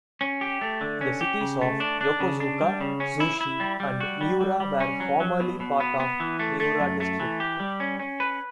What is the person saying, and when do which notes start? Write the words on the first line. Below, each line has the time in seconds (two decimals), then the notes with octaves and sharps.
The cities of Yokosuka, Zushi and Miura were formerly part of Miura District.
0.21 C#4
0.41 G4
0.61 A3
0.81 D3
1.01 C#4
1.21 G4
1.41 C#3
1.61 A3
1.80 D4
2.01 D4
2.20 C#3
2.40 D4
2.61 G3
2.81 C#3
3.00 C#4
3.20 E4
3.41 E4
3.60 G3
3.80 G3
4.00 F#4
4.21 G3
4.41 G3
4.60 G3
4.80 C#4
5.00 F#3
5.20 F#3
5.40 B2
5.60 B2
5.80 B3
6.00 B3
6.20 E3
6.39 A3
6.60 A3
6.80 F#2
7.00 A3
7.20 E3
7.40 G4
7.60 G3
7.80 C#4
7.99 C#4
8.20 B4